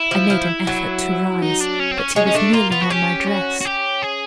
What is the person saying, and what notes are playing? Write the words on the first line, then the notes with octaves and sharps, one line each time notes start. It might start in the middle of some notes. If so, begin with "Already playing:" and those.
I made an effort to rise, but he was kneeling on my dress.
Already playing: E4
F3
F3
F#3
D#4
D4
C#4
C4
C#4
G#3 C#4
C#4
A3 D4
A#3 F4
B3 F4
F#4
C#4 G4
F#4
F#4
G4
G#4